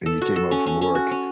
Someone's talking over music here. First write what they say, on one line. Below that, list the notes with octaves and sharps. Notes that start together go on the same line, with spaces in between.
and you came home from work,
A4
F#4
A4
C#4
C#4
C#4
F#4
C#4